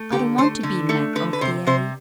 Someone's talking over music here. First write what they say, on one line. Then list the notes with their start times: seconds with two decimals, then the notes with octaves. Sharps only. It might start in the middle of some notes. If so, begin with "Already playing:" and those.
I don't want to be Mag of the Alley.
Already playing: A3
0.12 D3 G4
0.38 A3 C5
0.63 D3
0.89 A3 A4
1.15 D3 B4
1.33 B4
1.41 C3 C5
1.67 C3 C5